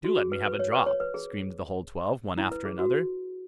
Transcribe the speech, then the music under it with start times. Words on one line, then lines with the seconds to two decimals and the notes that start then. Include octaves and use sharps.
Do let me have a drop', screamed the whole twelve, one after another.
0.04 F#4
0.18 G#4
0.32 B4
0.46 B4
0.59 C#5
0.73 B4
0.86 C#5
1.00 B4
1.14 G#4
2.38 E4
2.52 B4
2.65 G#4
2.79 F#4